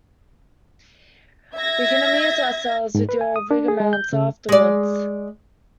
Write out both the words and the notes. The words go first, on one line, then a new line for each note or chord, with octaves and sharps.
We can amuse ourselves with your rigmaroles afterwards.
E5 G#6 A#6
G#2
B4
G#5
D#6
D4
G#4
G#3
G6
C#3
G#3 D5